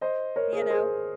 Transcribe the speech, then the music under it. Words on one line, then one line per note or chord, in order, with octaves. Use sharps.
you know?
C5 D#5
A#4 C#5
G#4
A#4
G#4 C5